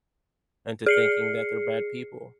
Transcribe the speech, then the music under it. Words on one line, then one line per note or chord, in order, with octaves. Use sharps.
into thinking that they're bad people.
G#4 C7 C#7